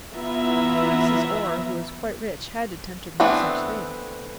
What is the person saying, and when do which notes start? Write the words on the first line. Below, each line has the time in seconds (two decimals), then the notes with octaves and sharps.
Mrs. Orr, who was quite rich, had attempted no such thing.
0.13 E3 B3 E4 F4 E5 A#5
3.20 E3 A3 B3 C4 D4